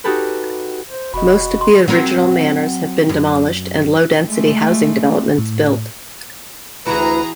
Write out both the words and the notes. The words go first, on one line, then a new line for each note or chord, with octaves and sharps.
Most of the original manors have been demolished and low density housing developments built.
D#4 F#4 G4 A4 B4
C5
F1 F#4 D#5 B5
C6
F#3 C4 A#4
F#2
G#3 A3
A2
D2 E3 E4 F#4 G#4 B4 A#5